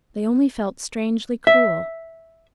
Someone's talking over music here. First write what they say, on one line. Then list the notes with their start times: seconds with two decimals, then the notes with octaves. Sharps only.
They only felt strangely cool!
1.47 E5